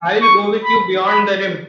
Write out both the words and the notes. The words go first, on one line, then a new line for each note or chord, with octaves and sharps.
I will go with you beyond the rim.
C#6
B5
B5